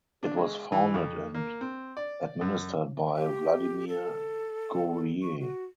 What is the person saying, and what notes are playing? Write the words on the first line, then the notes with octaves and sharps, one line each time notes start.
It was founded and administered by Vladimir Guerrier.
D4
G#3
E3
F2
A#3
C4
D5
F#2
G4
A4
C#6
F#4